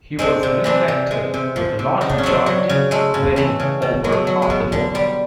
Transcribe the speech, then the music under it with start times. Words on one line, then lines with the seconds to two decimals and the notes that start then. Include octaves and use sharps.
He was re-elected with a large majority, winning over half the vote.
0.19 G#3 C4 D4
0.43 C3
0.64 E3 C4 D4
0.88 C3
1.11 G#3
1.34 C3
1.56 F3
1.79 C3
2.01 C#3 D#4
2.09 D4
2.18 C#4
2.23 F#3 C4 D4
2.46 F#3
2.69 C#3
2.91 G#3 A3
3.14 C#3
3.36 E3 A3
3.60 C#3
3.82 B2
4.04 F#3 G#3
4.12 A3
4.27 F#3
4.42 G#3
4.50 B2
4.72 D3
4.95 G3